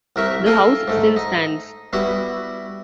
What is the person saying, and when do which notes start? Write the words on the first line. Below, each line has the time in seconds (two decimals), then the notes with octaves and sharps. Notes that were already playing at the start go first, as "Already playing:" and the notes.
The house still stands.
0.16 C2 A#4 E5 C#6
0.46 A4 A#4 F5 G5 G#5
0.88 G#2 A3
1.16 D#4
1.93 G3 B3 E4 F#4